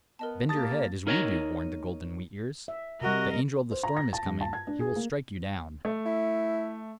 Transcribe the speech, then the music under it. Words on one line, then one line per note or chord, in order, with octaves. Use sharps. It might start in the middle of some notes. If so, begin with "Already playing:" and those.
"Bend your head, as we do!" warned the golden wheat-ears; "the angel of the storm is coming; he will strike you down."
B3 A#4 D#5 A5
A#3 G4 A5 D#6 A6
D#4 A#4 C#5 D#5 G#5 A#5
E5
C3 G3 F#4 A#4 D#5
C5
A#5
A#6
A5
G2
A5
G#6
D4
G#4
A#3
A3
E4